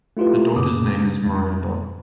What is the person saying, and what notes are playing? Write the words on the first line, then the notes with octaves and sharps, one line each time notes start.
The daughter's name is Miranda.
A3 E4 F4 G4 B4
F#2 C#3 A#3 C#4 D6 D#6
F2